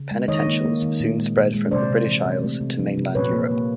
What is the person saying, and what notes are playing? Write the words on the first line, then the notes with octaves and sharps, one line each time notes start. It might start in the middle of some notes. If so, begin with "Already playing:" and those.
Penitentials soon spread from the British Isles to mainland Europe.
Already playing: C#3
G#3
D#3 C#5 D#5
A#3
A#3
D#3
A#2
G#3
A#2
G#3
C3 C5 D5
C3
E3
C3
A3
C3
F3
C3
A#2 B4 C#5
A#3
A#3